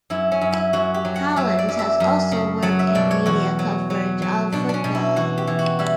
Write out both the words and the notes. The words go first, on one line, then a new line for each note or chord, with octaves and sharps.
Collins has also worked in media coverage of football.
F#2 E4
C#4
F#2
E4
F#2 F#4
G4
F#3
F#5
F#3 E5
D5
F#2
E5
F#2
C#3
F#3 F#5
E5
B2 D5
C#5
E2 F#4
F#3
F#3
F#3
B2 D4
C#4 D4
B2
E4
E3 F#4
G4
E3
F#4
G3 E4